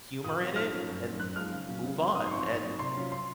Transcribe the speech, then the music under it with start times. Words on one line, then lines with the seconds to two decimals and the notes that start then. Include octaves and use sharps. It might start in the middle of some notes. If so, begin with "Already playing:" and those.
humor in it and move on, and
0.24 A#2 D#6
0.40 F#3 C4 F4
0.56 G#2 F6
0.72 F3 A#3 C#4 F4
0.89 F#2
1.05 D#3 F#3 C4
1.20 F#2 F#6
1.36 F3 G#3 D#4 F6
1.52 C#3
1.68 F#3 C#4
1.84 C#3
2.00 F#3 C4
2.15 G#2 D#6
2.27 C6
2.31 F3 C4 D#4 C#6
2.48 G#2
2.63 F#3 C4
2.79 C3 C6
2.95 F#3 C#4 F4
3.12 C6